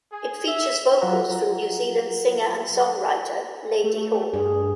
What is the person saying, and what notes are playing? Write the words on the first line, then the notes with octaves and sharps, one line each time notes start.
It features vocals from New Zealand singer and songwriter Ladyhawke.
G#4
E5
F#3 F4 F#5 A#5
A3
G2 G#4